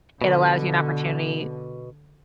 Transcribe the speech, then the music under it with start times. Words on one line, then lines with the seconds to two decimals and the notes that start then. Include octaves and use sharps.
it allows you an opportunity
0.22 B2 D3